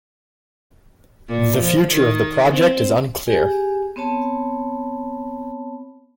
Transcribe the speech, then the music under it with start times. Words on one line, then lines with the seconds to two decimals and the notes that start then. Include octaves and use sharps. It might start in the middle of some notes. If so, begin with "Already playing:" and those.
The future of the project is unclear.
1.28 A#2
1.60 F3
1.92 D#3
2.51 C4
3.27 G4 G#4 G#5
3.96 B3 C4 C#5 A5 B5